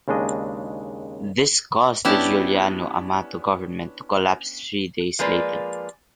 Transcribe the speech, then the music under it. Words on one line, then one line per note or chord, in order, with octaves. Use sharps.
This caused the Giuliano Amato government to collapse three days later.
D#2 C#3 G#3 D4 D#5
B3 C#4 D4 E4 G4 A5
F3 G#3 A#3 B4 D5